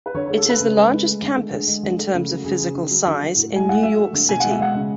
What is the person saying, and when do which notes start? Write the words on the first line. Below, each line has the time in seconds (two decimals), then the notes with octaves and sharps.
It is the largest campus, in terms of physical size, in New York City.
0.06 B4
0.14 D3 C#5
0.26 C#5
0.30 A3
0.37 A4
0.45 A3 B4
0.60 C#3
0.76 G#3
0.91 G#3
1.07 A3
1.22 D3
1.37 A3
1.52 D3 G#4
1.68 G#3
1.83 D3
1.99 A3
2.14 C#3
2.29 F#3
2.44 C#3 G#4
2.60 C#3
2.75 C#3
2.91 F#3
3.06 D3
3.21 F#3
3.36 A2
3.52 G#3 G#5
3.68 A2 F#5
3.82 F#3 E5
3.98 A3
4.13 D3
4.28 B2 G#5
4.40 G#3 F#5
4.51 E5
4.59 G#3 F#5
4.75 C#3